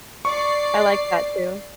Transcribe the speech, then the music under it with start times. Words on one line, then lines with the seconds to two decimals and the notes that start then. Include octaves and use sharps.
I like that, too.
0.25 D5 C#6 C7